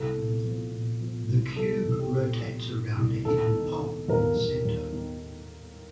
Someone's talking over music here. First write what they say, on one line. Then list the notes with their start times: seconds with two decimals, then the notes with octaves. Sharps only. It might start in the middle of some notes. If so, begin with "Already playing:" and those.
The Cube rotates around a hidden pole in the center.
Already playing: C2 A4
0.16 A#2
0.45 F3
0.72 A#2
1.00 F3
1.29 C2
1.56 F3 A4
1.84 C2
1.99 G4
2.13 A#2
2.41 F3
2.68 A#2
2.97 C2
3.25 D#2 A4
3.53 D#3
3.81 D#3
4.08 D#2 A#4
4.36 D#2
4.65 D#2
4.92 D#3